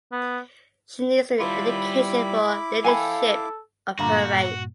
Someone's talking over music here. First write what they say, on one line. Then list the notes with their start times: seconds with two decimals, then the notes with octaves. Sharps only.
She needs an education for leadership of her race.
0.12 B3
1.40 G3 E4 F4 B5 D6
2.84 A4 F5 G5 G#5 B5
3.99 G2 A#2 D3 A#3 F#4 A#5